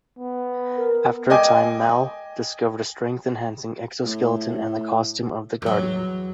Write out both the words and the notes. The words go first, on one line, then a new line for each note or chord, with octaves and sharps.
After a time, Mal discovers a strength-enhancing exoskeleton and the costume of the Guardian.
B3
A#4
D#5 G5 G#5 D6
A2
E2 F#3